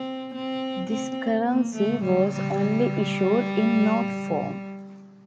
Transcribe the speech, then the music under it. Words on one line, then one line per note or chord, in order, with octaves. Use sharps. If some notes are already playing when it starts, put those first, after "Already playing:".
This currency was only issued in note form.
Already playing: C4
C4
C4
A#3
A3
G3
G3
G3